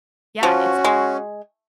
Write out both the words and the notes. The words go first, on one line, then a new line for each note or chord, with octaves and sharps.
yeah, it's
F3 C#4 F#4
G#3